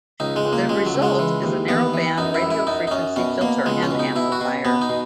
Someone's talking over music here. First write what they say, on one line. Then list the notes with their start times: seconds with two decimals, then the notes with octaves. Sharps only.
The result is a narrow-band radio-frequency filter and amplifier.
0.20 C#2 D#4
0.36 G#3
0.45 C#2
0.53 A#3
0.69 C#2 G#3
0.86 F#3
0.95 C#2
1.02 G#3
1.19 E3
1.43 D#2
1.68 E3 B3
1.94 E3
2.18 F#2 D#4
2.34 E4
2.42 F#2
2.51 E4
2.67 F#2 D#4
2.87 D#4
2.91 F#2 C#4
3.16 B2 C#4
3.41 B2 A#3
3.66 C#2 G#3
3.83 C#4
3.91 B2
3.99 D#4
4.16 B2 E4
4.32 F#4
4.41 B2
4.65 B2 B3
4.81 D#4
4.89 B2